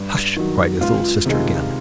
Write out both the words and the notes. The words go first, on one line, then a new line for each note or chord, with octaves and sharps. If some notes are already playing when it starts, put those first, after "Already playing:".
"Hush!" cried his little sister again.
Already playing: G2
D#3 F#3
C#2 F4
C3 D#3 G#3